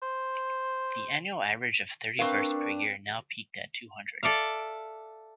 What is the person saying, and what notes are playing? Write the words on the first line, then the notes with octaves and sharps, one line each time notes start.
The annual average of thirty births per year now peaked at two hundred.
C5
C4 D4 A#4 B4 F5 C#6
A4 D5 E5 F5